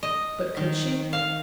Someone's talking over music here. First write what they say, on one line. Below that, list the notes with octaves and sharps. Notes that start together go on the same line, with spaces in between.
But could she?
D#5
D#3
F5